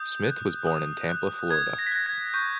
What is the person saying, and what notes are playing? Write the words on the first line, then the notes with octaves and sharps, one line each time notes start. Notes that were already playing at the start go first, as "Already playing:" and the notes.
Smith was born in Tampa, Florida.
Already playing: D#6 G6
F#6
D#6
F#6
D#6 G#6
A#6
B6
F#6 A#6
G#6
C#6 G6